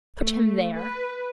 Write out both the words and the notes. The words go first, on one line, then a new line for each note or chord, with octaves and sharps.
"Put him there."
A3
B4